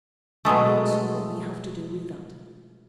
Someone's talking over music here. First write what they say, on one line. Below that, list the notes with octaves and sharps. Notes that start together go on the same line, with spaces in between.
'I don't see what we have to do with that.
B2 F#3 G#3 A3